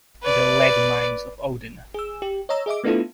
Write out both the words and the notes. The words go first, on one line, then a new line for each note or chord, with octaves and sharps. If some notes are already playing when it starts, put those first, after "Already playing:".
The lead mines of Odin.
B4 D5
G#4 E6
G4
C#5 D#5 A#5 E6
G#4 D#5 E5 D6
A3 B3 D4 E4 F4 A4